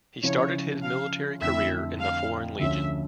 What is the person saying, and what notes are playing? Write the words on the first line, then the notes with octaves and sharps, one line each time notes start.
He started his military career in the Foreign Legion.
C#3 F3 C#4 E4 C#5
F5
F2 D3 A3 E4 E5
F5
D2 D3 F3 C#4 E5